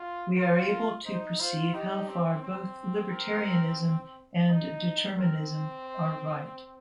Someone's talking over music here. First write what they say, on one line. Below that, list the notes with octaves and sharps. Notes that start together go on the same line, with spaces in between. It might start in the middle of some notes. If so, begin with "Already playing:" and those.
We are able to perceive how far both libertarianism and determinism are right.
Already playing: F4
F4 A#4
A#4
D#4 C5
F4 C5
D#4 G4
C4
C4
A#4
D#4
C4 A#4
C5